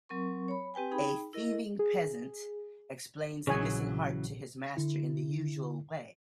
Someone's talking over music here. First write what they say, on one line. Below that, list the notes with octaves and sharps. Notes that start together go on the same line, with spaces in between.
A thieving peasant explains the missing heart to his master in the usual way.
F#3 C4 A#4 C#6
C#5 B5
C4 G4 B4 G5 G#5
D#4 G#4 G5 B5
E4 A#4 D#5
G#4
A#1 C#3 E3 F#3 G#4 C#5 G#5
D3 E4